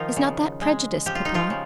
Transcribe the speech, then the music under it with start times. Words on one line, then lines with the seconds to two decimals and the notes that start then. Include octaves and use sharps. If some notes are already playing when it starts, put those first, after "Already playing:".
"Is not that prejudice, papa?"
Already playing: D#3 F3 D#4 F4
0.16 C#3
0.61 G#3
1.06 F3 G4
1.15 F4
1.25 D#4
1.34 F3 F4
1.50 C#3